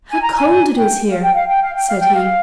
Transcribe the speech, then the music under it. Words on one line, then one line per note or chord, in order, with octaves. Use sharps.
"How cold it is here!" said he.
G#5
A#5
G#5
G5
F5
G5
F5
G5
F5
G5
F5
G5
F5